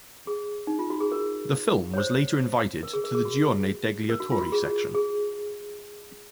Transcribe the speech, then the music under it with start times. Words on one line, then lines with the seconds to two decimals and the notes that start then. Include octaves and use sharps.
The film was later invited to the Giornate degli Autori section.
0.27 G#4
0.67 D#4
0.79 F4
0.90 F#4
1.00 G#4
1.12 A#4
1.94 C#5
1.98 C5
2.83 A#4
2.93 G#4
3.04 A#4
3.15 G#4
3.25 F#4
4.09 A#4
4.20 F#4
4.32 F4
4.41 F#4
4.52 G#4
4.94 G#4